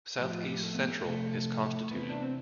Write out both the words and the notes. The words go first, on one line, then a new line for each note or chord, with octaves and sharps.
South East Central is constituted.
A2 F3 G4
F4
G4
A3
B3
A3
C3 F3 A3
C3 E3 B3
D4
C4